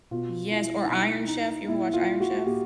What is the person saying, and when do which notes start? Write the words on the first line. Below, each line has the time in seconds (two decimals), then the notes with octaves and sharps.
Yes, or Iron Chef, you ever watched Iron Chef?
0.11 B2 F4
0.51 E4
0.84 D#4
0.90 B2 E4
1.28 D#4
1.68 A#2 E4
1.93 F4
2.20 F#4
2.46 A#2 G4